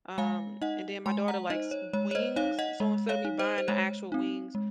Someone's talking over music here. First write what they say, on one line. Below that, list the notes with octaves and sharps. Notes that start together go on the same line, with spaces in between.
um, and then my daughter likes wings, so instead of me buying the actual wings,
G#3 F5 G#5
D#4 D#5 F#5
G#3 G#5 C6
F#5 A#5
D#4 C5 D#5
C#5
G#3 C#5
C#5
C5 D#5
D#4 C#5 F5
D#5 F#5
G#3
C#5 F5
D#4
C5 D#5
C5
G#3 C#5
C4 D#4
G#3